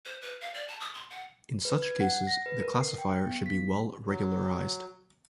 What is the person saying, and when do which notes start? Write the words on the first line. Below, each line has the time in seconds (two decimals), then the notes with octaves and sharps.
In such cases, the classifier should be well-regularized.
0.05 C5
0.22 B4
0.41 F5
0.54 D5
0.68 A5
0.80 D#6
0.94 C6
1.10 F#5
1.65 B4
1.82 G#6
2.00 F#5
2.27 A#6
2.46 B4
2.61 A#4
2.81 C7
2.98 G5
3.26 B3
3.46 B6
4.07 F#3